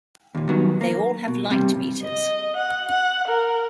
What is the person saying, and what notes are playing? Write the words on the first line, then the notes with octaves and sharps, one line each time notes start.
They all have light meters.
D#2 A#2
G2 D#3 F#3 B3
A#3
B2
G2 C3 G3
D#5
F#5
F#5
A#4